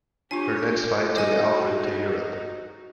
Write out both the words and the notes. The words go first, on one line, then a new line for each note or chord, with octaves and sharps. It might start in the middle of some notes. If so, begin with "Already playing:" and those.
Her next fight took Alfred to Europe.
D4 F4 G4 C#5 G#5 C#6
G3 D#4 F#4 A4 D#5 G#5
G#4